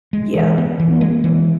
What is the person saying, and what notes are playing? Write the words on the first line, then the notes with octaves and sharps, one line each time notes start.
Yeah. Mhm.
G#3
E3
B3
E3
G#3
E3